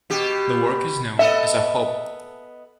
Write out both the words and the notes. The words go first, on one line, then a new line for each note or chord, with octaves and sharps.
The work is known as "Akhob".
B2 G4
B3 A4 D#5 E5